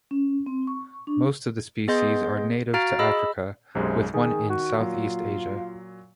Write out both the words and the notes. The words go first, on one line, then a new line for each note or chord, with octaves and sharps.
Most of the species are native to Africa, with one in Southeast Asia.
C#4
C4
C#6
D4
B3 G#4 D#5 C6 G6
F#4 F5 A#5 F6 A6 D7
G#4 D#5 B5 E6
B1 F#2 C3 G#3
D#3 G#4
F#4
A#2 F#3 F4